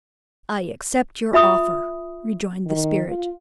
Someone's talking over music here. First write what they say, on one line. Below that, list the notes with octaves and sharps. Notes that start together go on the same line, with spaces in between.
"I accept your offer," rejoined the spirit.
F4 E5 B5 D#6
D#3
F4